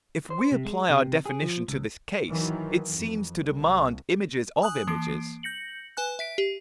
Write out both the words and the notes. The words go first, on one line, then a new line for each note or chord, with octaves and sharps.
If we apply our definition to this case, it seems to demand images of images.
C5
C3
G#3
C3
G#4
F3
C#2
D#3 E3 F#3
F2
C2
G#5 D#6 F#6 F#7
E3 A#3 C7 D7
G6 A#6 C#7 F#7
B4 G#5 F#6
E5 B6 D7
G4